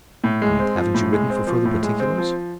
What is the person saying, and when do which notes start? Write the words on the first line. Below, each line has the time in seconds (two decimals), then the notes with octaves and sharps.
"And haven't you written for further particulars?"
0.24 A2
0.42 G#3
0.59 C4
0.77 F3
0.94 A2
1.13 G#3
1.30 C4
1.47 F3
1.65 A2
1.83 G#3
2.00 C4
2.18 F3